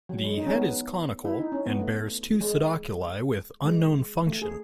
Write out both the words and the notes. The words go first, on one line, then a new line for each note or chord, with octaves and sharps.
The head is conical, and bears two pseudoculi with unknown function.
F#3
G#3
D#4
C#4
B3
E4
D#4
C#4
B3
A3
G#3
G#3
A3
G#4